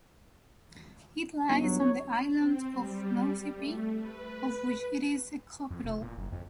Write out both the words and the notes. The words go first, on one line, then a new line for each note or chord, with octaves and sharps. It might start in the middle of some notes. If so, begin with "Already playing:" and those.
It lies on the island of Nosy Be, of which it is the capital.
G1 D#4
F#3
C#5
C4
G3
A3
B4
B4
F2
F1
A#2
F#1
F2